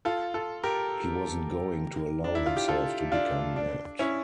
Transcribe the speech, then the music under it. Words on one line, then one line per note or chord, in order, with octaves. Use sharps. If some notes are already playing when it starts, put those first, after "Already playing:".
He wasn't going to allow himself to become mad.
F4 A4
F4 A4
G4 A#4
D4
E4
F4
G4
F4 A4
D4 F4
D4
C#4 E4